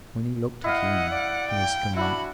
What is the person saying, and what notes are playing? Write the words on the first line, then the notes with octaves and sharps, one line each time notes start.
When he looked again he was gone.
E4 D#5 F5 F#5
D5
G5
D4 E4 F#4 B5